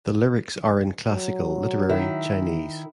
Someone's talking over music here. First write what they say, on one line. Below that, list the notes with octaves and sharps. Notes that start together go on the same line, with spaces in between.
The lyrics are in classical literary Chinese.
F#3
D#3 E4